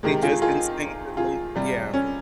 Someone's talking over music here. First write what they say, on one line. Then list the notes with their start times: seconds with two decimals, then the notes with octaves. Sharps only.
They just instinctively yeah,
0.03 C3 D#3 G#3
0.23 F4 G#4
0.42 F4 G#4
1.17 F4 G#4
1.56 C3 G3
1.94 C#4